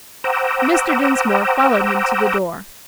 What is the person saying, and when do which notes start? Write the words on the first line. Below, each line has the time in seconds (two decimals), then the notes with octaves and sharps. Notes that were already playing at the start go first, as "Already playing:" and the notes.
Mr. Dinsmore followed him to the door.
0.24 C5 F#5 G5 A#5 D6 E6